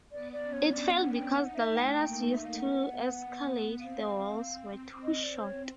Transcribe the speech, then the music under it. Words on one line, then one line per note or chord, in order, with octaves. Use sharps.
It failed because the ladders used to escalade the walls were too short.
B3 D5
D5
C#4
C#5
D4 D5
F#5
G5
D#4 F#5
E5
A3
G5
A#3
E5
F5
B3 F#5
C4 F5
D#5
D5
C5
C#5